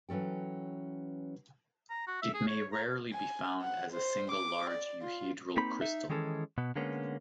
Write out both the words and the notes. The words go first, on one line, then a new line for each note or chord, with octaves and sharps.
It may rarely be found as a single large euhedral crystal.
E3 F#3 C#4 A4 G5
A#5
F#4
E5
G#4
C#5
A#5
G#5
F#5
C5
D6
D5
F4
A#3 C4 D#4 B5
D#4 E5
D#3 E3 G#3 C#4 A4
B2 B3
D3 G#3 A#3 B3 C#4